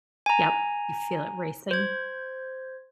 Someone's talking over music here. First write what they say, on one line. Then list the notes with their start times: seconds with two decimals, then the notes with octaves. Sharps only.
Yep. You feel it racing?
0.26 G#5 A#5
1.71 C5 G#6